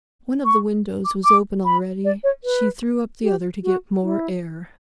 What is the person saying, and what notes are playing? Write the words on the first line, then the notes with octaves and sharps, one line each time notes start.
One of the windows was open already; she threw up the other to get more air.
C#6
D6
D6
B5
D5
C#5
B4
G4
F#4
E4